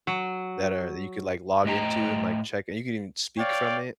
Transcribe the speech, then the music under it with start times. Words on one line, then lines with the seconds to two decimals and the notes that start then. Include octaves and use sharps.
that are that you could, like, log into and, like, check and you can even speak from it.
0.07 F#3
1.65 A2 A3 D#5 G5 A#5
3.38 C#5 D5 F5 G5